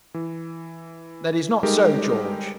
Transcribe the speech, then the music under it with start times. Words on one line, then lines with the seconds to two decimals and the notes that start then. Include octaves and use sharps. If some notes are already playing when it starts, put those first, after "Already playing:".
'That is not so, George.'
0.14 E3
1.63 G3 G#3 D#4 G4 A4 A#4